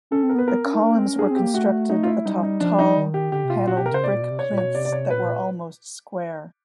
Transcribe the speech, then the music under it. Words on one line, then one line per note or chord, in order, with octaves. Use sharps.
The columns were constructed atop tall, paneled brick plinths that were almost square.
C#4 A4
C4
A#4
B3
B4
B3 A#4
C#4
D#4
D4
C4
C#4
D4 G#4
C4
G4
A#3
A3 F#4
D#4
F4
E4
G3 D#4
D#4
F3 D4
D#4
D#3
G4
D3 G4
C3
F4
A#2
A#2 F#4
B2 G4
A#4
C#3 C5
C3 D5
A#2
B2
C3
C#5
A#2
C#5
B2
C3 D5
D5
C#5
A#2 B4
A#2